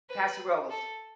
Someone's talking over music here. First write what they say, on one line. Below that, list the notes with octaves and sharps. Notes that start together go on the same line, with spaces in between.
Paso Robles.
B4
A4